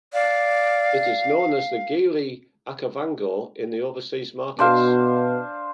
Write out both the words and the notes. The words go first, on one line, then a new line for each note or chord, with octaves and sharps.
It is known as the Geely Okavango in overseas markets.
D5 F5
B2 D4 C5 F5